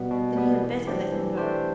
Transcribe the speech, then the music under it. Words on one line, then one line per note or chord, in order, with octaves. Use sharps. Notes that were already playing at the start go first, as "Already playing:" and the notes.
"Then you had better let him go."
Already playing: B2 G3 B3
B2
G3 B3
E3
A3 D4 G4 C5
E3
A3 D4 G4 C5